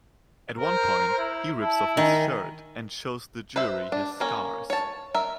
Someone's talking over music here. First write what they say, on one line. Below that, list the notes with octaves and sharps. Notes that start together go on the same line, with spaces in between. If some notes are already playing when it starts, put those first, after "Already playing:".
At one point, he rips off his shirt and shows the jury his scars.
A#4 C5 A#5
E4
E4 A5
D#3 A#4 G#5
B4 C5 E5
D4
A#3 C#4 A#4
C#5 A5
A#4 E5